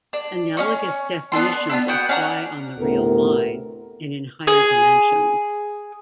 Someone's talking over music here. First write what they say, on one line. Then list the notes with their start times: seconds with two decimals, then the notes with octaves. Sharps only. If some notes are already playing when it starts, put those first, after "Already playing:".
Analogous definitions apply on the real line, and in higher dimensions.
0.13 D4
0.57 C#4 D#4 C#6
1.32 B3 D4 A4 C6
1.69 B3 D4 E4
1.88 B3 F#4 G5
2.09 C#4 D4 F#5 A#5
2.79 D2 A2 C3 B3 A4 A#4
4.47 G#4